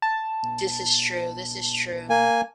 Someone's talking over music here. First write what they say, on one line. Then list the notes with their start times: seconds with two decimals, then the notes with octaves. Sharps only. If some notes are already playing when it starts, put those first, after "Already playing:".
This is true, this is true.
0.02 A5
2.10 A#3 G#5